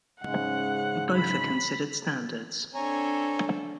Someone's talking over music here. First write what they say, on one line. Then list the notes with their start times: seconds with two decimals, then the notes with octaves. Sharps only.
Both are considered standards.
0.23 G#2 C#3 G#3 F#5
1.15 B5
2.75 C4 D4 A4 C#5 G#5 A#5